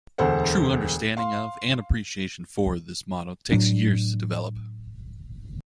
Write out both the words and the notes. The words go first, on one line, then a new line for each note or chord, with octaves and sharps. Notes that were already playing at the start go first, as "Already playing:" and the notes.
True understanding of, and appreciation for, this motto takes years to develop.
E1 D2 A4 C5 F#5
F5 C6
A2 F#3 D4